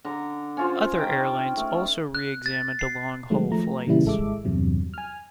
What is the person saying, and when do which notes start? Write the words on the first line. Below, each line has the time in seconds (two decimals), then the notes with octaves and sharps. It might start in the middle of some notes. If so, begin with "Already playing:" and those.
Other airlines also re-examined long-haul flights.
0.05 D3 A#5
0.57 C#4 F4 C5
0.96 D#4 G5
1.57 A3
2.15 F#6
2.46 A6
2.79 C7
3.30 D#3 F#3 G#3 A3
3.51 F3 A3 A#5
3.87 A#2 C#3 E3 G3 E4
4.05 G#1 G#3 A4 E5 D6
4.45 E2 G2 C3 F#3
4.94 G#5 F6